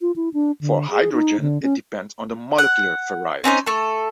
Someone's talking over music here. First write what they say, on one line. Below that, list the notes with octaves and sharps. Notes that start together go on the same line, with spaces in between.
For hydrogen, it depends on the molecular variety.
F4
E4
D4
D3
G#4
D#4
D3
C#4
F#5
C4 C#4 D#4 C5
A3 A4